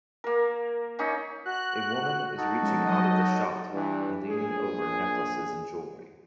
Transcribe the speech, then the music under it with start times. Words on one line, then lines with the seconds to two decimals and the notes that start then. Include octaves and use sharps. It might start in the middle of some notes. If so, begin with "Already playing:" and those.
A woman is reaching out of the shot and leaning over necklaces and jewelery.
0.24 A#3 A#4
0.99 A#3 C#4 D#4
1.46 F#4 F#6
2.38 D#4 F#4 A4
2.61 F3 G#3 C#4
2.85 F#3 D#5
3.72 G2 E3
4.28 A#1 G#4